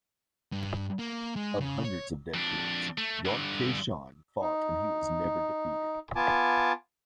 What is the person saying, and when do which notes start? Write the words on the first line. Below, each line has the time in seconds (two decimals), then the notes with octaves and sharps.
Of hundreds of death duels Yuen Kay Shan fought in he was never defeated.
0.52 G2
0.99 A#3
1.36 G#3
1.60 C#3
1.84 C#5
2.34 F2 D4
2.98 A3
3.25 G2 D3
4.41 D#4
6.15 B3 F4 G#5 A5 D6